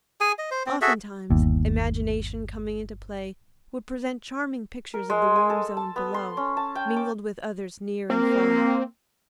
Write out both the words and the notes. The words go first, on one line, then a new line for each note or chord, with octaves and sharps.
Oftentimes imagination coming into play would present charming pictures of the warm zone below, mingled with others near and far.
G#4 G#5
D#5
C5
C4
F#4 G#4 A4 E5
G1 D#2
A#4
G#3
G#5
A4
A5
B3
C6
C#4
A5
G5
D6
A#3 C4